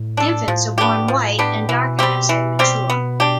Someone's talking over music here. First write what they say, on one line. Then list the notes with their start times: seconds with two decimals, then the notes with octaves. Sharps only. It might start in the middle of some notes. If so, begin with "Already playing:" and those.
Infants are born white and darken as they mature.
Already playing: A2
0.17 D4 A4
0.48 A2 F3
0.78 B3 D4 G4
1.08 F3
1.39 B3 D4 G4
1.69 B2 E3
1.99 G3 C4 G4
2.29 E3
2.59 G3 C4 G4
2.90 B3
3.20 D4 G4